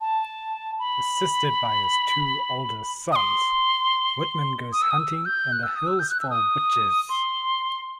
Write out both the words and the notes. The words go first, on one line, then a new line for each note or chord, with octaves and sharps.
Assisted by his two older sons, Whitman goes hunting in the hills for witches.
A5
B5
D#6
C6
D#6
E6
D#6
E6
G6
F#6
E6
D#6
E6
G6
F#6
E6
D#6
C6